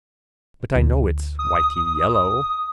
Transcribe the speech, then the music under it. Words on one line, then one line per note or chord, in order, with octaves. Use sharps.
But I know it's whitey yellow.
D2
D#6